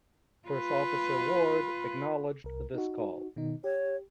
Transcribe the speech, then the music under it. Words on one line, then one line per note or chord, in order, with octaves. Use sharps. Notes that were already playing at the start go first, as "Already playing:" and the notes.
First Officer Ward acknowledged this call.
F4 B4
C2 A#4
D#4 F#4
B2 D#3 D#4
G4 C#5